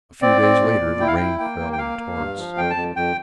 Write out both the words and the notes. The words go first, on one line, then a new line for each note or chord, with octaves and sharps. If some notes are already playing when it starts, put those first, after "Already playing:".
A few days later, the rain fell in torrents.
C4 D5
C4
A#2
A#2
E4 G5
F5
E4 G5
A#3 G5
A#3
G5
A#3 F5
A#3
G2
F3
F2 G5
A5
F2
F2 G5